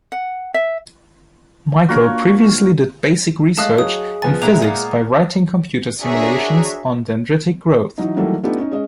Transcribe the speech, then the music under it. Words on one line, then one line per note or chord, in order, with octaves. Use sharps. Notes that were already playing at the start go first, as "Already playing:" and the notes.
Michael previously did basic research in physics by writing computer simulations on dendritic growth.
F#5
E5
A#3 D4 F4 F#4 A#4 C#5
G#3 A3 D#5 F5 A5 D#6 F#6
F#3 G#4 D#6
F3 B3 G#5 A6
A#2 G#3 D4 E4 A#4 F7
A#3 B3 A#4
D4 F#4 G#4 A#4 C#5 E5
E3 F#3 D#4
D#3 E3 F#3 G3 A3 A#3
A3 B3 D4 D#4 F4 G4
C#4 D#4
G#3 C#4 D#5